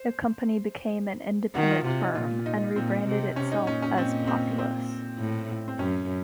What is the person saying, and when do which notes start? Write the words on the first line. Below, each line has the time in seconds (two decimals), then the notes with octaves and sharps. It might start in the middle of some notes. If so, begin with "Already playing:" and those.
The company became an independent firm, and rebranded itself as Populous.
Already playing: C5
1.55 D#3 F#4
1.70 F4
1.86 C3 F4
2.01 D#4
2.15 A#2 F4
2.46 D#4
2.76 A#2 C4
3.07 C3
3.36 C3 C#4
3.52 D#4
3.67 A#2 C#4
3.82 C#4
3.98 C4
4.27 C4
4.58 C4
5.19 A2
5.68 C4
5.79 F#2 C#4